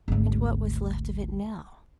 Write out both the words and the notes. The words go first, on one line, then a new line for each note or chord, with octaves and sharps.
And what was left of it now?
G#1 D2